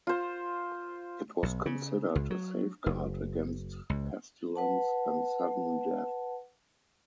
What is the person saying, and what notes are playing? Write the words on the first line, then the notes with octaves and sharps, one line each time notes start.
It was considered a safeguard against pestilence and sudden death.
F4 C5
B1
C#3
C#2
F#3
F#1
C#2
B4 F#5 A5